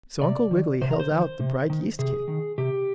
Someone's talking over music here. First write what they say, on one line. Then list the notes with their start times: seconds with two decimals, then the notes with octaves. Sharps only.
So Uncle Wiggily held out the bright yeast cake.
0.22 C3 D5
0.51 D#3
0.81 C3 C5
0.91 A#4
1.00 C5
1.11 D#3
1.40 C3
1.70 D#3
1.99 C3 G#4
2.28 D#3
2.58 C3 G4